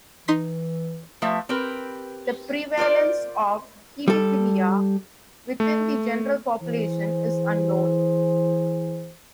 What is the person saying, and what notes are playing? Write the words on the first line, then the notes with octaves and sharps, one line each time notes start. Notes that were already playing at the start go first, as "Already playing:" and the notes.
The prevalence of hebephilia within the general population is unknown.
E3 D#4 C6 B6
F3 A3 B4 E5
C4 G4 A#4 B4
F4 A#4 C5 D5
G3 A4
A3
E3 G#4 C5